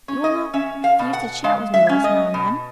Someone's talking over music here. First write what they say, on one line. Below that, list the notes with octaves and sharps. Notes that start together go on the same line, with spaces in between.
"You will not refuse to chat with me thus now and then?"
C#4
D#5
C#4 E5
F5
B2
F#5
G#3 F5
E5
C#4
D#5
B2